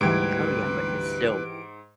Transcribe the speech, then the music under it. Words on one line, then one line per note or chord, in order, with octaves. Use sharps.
Oh, yeah, but it's still
D2 G#2 E3 G3 G4 B4 G#6 D7